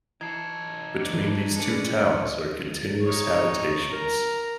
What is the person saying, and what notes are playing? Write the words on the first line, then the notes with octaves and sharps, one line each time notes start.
Between these two towns are continuous habitations.
E3 D#4 A4 G#6 C7 C#7
D4
G#3 C#4 G#4 B4 D5 C#7
D#4 C#5
A#4 A#5